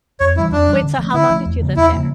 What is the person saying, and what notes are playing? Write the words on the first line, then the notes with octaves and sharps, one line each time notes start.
Wait, so how long did you live there?
F2 C#5
E3 G3 C#4 E4
F2 D4
E3 G3 C#4
D3
F3 A3
D3 E4
F3 A3
E2
C#3 F3 A#3
E2 E4
C#3 F3 A#3